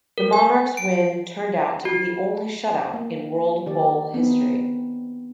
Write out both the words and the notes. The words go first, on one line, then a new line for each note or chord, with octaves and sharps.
The Monarchs' win turned out to be the only shutout in World Bowl history.
A#4
G#5
D7
F#4
A#3
D#3 G4 D5
B3 C4 D4 D#4